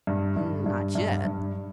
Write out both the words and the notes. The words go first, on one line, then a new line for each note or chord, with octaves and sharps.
"Not yet."
G2
G2
G2
G2
G2